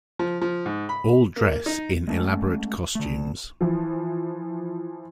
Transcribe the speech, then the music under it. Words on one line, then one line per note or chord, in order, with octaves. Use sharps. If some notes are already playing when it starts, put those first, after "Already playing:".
All dress in elaborate costumes.
F3
F3
G#2
B5
A#3
D#4
G#3 A3 C4 C#4
D3 A3
E3 F3